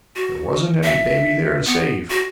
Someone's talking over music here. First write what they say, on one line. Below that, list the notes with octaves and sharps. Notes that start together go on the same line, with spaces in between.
There wasn't any baby there to save.
F#4
E5
B3
F#4